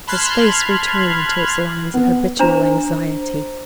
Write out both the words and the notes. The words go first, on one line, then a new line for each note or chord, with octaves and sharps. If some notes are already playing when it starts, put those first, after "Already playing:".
His face returned into its lines of habitual anxiety.
A5 B5 C6 F6 F#6 G#6
B3
D4 C5 A#5